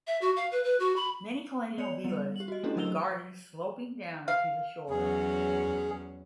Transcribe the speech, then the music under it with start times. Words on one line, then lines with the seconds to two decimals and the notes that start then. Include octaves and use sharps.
Many colonial villas have gardens sloping down to the shore.
0.07 E5
0.21 F#4
0.36 F5
0.52 B4
0.64 B4
0.80 F#4
0.96 B5
1.78 B3 C#5 D5 C#7 F7
2.04 G3 B3
2.36 G4 F#7
2.48 F#4 D#5
2.63 A3 C#4 D4 E4 G4 A4
2.76 F#3 A#4 D#5 E6 F7 G7
4.28 F5
4.90 E2 F#3 C#4 G#4